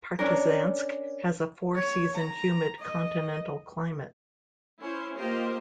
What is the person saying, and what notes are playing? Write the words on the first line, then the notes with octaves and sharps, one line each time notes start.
Partizansk has a four-season humid continental climate.
C#4 D4 A#4
C#5
A#5
D#5
C#4 E4 C5
A#3 F4 G4 A#4 C5 D#5